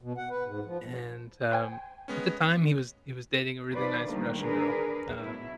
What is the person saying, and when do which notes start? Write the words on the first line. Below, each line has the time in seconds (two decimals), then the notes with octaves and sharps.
And, um, at the time, he was he was dating a really nice Russian girl, um,
0.02 B2
0.17 F#5
0.30 B4
0.45 G#2
0.65 F3
1.52 C5 G5 G#5
2.08 G#3 B3 C#4
3.74 D#3 F3 B4 C5 D5
4.06 D3 D#3 F3 G3 A3 A#3
4.39 D4 G#4 A#4 B4
5.21 B2 F#3 E4